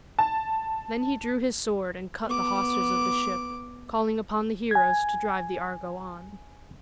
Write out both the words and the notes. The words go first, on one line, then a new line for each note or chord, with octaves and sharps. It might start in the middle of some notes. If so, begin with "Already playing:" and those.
Then he drew his sword and cut the hawsers of the ship, calling upon the heroes to drive the Argo on.
A5
B3 D6
G#5 G#6